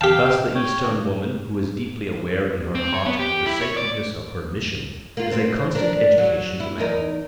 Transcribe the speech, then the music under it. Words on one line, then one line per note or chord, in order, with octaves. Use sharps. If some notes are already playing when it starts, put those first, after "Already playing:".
Thus the Eastern woman, who is deeply aware in her heart of the sacredness of her mission, is a constant education to man.
G4 F5 G5 A5
C#5 G5
D4 F#4
C4
C#5
B3
G4
E4
C#5
D5
A#3 F4
C4
D4 A#4
F#3
E4
E2 D#4 A#4